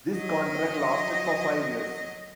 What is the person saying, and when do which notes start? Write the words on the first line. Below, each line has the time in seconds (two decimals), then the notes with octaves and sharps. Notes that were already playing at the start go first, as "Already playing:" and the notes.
This contract lasted for five years.
0.12 F#3 D#5